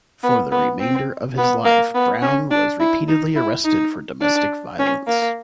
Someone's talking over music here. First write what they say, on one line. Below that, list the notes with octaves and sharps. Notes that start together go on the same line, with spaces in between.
For the remainder of his life, Brown was repeatedly arrested for domestic violence.
B3
B3
C4
B3
A#3
B3
C#4
D4
E4
D#4
E4
D#4
D4
C#4
A#3